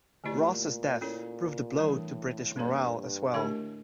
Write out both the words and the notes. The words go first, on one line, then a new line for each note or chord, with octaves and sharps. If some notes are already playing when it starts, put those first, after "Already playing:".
Ross's death proved a blow to British morale as well.
A#2 D3 A3 E4 G4 D5
A#2 C#4 E4 A4 C#5
A2 E3 G3 D4
G2 A#3 D4 A4 C#5
G2
A2 D3 A3 D4 G4 A#4